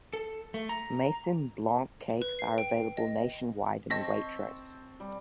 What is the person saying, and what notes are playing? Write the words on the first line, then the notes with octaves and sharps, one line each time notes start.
Maison Blanc cakes are available nationwide in Waitrose.
A4
A3
A#5
B4
C7
G5
D#5
C4 D#5 A5 C#6 A#6 B6
G3